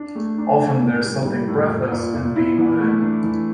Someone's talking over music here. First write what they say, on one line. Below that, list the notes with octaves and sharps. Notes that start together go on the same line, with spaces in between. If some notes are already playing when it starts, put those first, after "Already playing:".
Often there's something breathless in being with him.
Already playing: D4
A3
D4
D4
A2
G3
G3
A2
A#2
A#2
A#2
E4
E3
A3
D4
E3